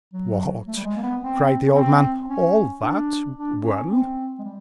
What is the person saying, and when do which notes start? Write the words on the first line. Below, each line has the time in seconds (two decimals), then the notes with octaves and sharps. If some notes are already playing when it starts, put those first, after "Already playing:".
"What!" cried the old man--"all that--won?"
0.14 F#3
0.67 A3
0.76 G3
0.84 G#3
0.96 A#3
1.03 B3
1.20 C4
1.67 C#4
1.74 C4
2.28 C#4
2.82 D4
3.36 D4
3.62 C#4
3.89 C4
4.38 G#3
4.44 G3